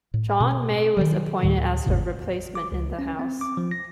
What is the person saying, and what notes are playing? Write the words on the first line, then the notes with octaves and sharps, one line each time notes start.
John May was appointed as her replacement in the House.
A2
B2 C#4
D#3 F3 F#3
D2 A2 D#3 G3
G#1 E2 A2 C#3
D6
C#2
C#4
C4
D6
F3
A#6